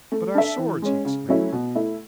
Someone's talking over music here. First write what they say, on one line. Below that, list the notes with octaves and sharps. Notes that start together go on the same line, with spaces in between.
"But our swords!" he exclaimed.
A3
D4 A4 E5
E3
G#3 C#4
C#3
F#3 A3 C#4 E4
B2
A3 E4